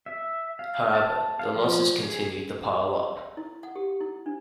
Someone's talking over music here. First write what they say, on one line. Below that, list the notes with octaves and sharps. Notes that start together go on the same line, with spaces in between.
However, the losses continued to pile up.
E5
F5
A5
F5
F3
G#4
E4
F#5
G4
E4
D4